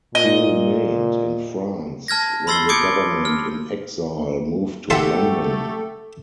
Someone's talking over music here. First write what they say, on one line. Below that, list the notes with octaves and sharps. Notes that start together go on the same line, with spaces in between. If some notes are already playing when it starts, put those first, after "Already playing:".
He remained in France when the government in exile moved to London.
A#2 D#5
A5 F6 G#6 A#6
B5 C6 E6 A6 C7 G7
D6 D#6 G6 G#6 C#7 D7
F6
A3 F#4 G4 A4 E5 A5 C6 C#6